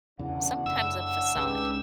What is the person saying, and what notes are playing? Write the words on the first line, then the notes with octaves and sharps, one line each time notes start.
sometimes a facade,
E2 A2 C#3 E3 D4 F#5
F#1 E6
C#2 G#2 C#3 D4 G4 B4